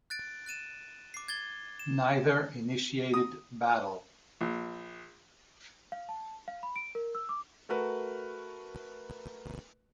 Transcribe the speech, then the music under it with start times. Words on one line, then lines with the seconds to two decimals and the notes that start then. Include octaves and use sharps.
Neither initiated battle.
0.10 F#6 A6 D7
0.46 F#6 A6 D#7 E7
1.14 D6 C7
1.28 G#6 A6 G7
1.80 E7
3.14 D#6
4.41 A#1
5.92 F5
6.09 A5
6.48 F5
6.63 B5
6.76 D7
6.95 A#4
7.15 E6
7.29 D6
7.69 A3 F#4 A#4 B4